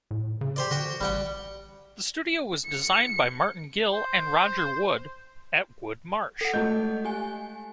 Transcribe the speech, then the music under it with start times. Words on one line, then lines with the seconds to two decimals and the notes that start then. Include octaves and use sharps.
The studio was designed by Martin Gill and Roger Wood at Wood Marsh.
0.11 A2
0.41 C#3
0.56 G4 C5 D5
0.71 D3 F#4 G5
1.01 A1 G3 F#5 G5
2.65 C#7
3.92 C5
6.41 A4 F#5
6.54 G#3 A3 D#5 G6
7.04 G4 G#5